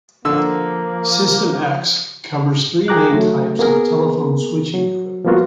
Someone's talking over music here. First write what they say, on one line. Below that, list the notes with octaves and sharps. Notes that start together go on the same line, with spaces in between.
System X covers three main types of telephone switching equipment.
D3 F3 A#3 E6
G#4 G5 A#5 D6 F#6
F#3 A3
A#3 B3 G#4 A#4
F#3
F3 G3 A#3 B3 F4 F#4